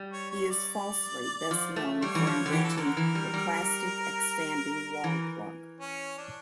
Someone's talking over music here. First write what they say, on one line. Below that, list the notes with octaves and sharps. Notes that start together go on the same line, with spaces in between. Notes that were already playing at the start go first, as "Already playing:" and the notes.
He is falsely best known for inventing, the plastic expanding wall plug.
Already playing: G3
C#5
C#5
D5
F3
A3
G3 C#5
E3
F3
D3
E3 G4
A4
D3 A#4
E3
G3
G3
E3
C#4
D4